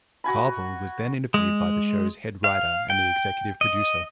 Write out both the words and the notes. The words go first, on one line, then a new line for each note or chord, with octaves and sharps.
Carvell was then interviewed by the show's head writer and the executive producer.
F#4 G#5 B5
G#3
F5
G5
D#5